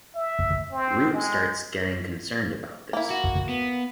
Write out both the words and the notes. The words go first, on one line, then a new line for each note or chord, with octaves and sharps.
Root starts getting concerned about this.
E5
C4
G#3
A#3 E4
F#4
B3